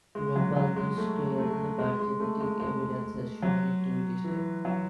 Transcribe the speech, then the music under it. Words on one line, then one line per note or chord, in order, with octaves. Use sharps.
"Rhopalostylae", but genetic evidence has shown it to be distinct.
G#3
F#3
F#3
G#3
A3
A3
G#3
G#3
A3
G#3
G#3
F#3
E3
F#3